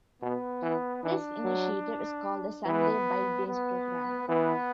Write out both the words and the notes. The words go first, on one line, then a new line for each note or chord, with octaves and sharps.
This initiative is called the Sunday Bikedays Program.
B2 B3
E3
E3 D4
F#3
E3 B3
B3
E3 B3